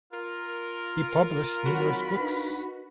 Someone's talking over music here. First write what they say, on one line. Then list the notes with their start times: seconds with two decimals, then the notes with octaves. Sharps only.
He published numerous books.
0.12 F4 A#4
1.66 G#1 F#3 F#4 F#5 B5
2.18 D4 D#4 B4